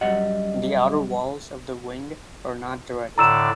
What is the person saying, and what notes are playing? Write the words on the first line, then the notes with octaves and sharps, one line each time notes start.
The outer walls of the Wing are not direct.
F#2 G3 D#5 F#5
A2 D3 D5 A#5 E6 E7